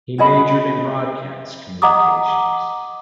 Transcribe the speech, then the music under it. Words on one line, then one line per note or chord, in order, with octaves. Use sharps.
He majored in broadcast communications.
F#4 G#4 D#5 B5
D#5 F#5 A#5 D6 D#6